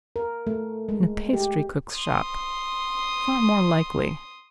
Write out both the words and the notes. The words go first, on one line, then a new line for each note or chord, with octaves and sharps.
In a pastry-cook's shop? Far more likely.
A#4
A3
G#3
G4
C6 D#6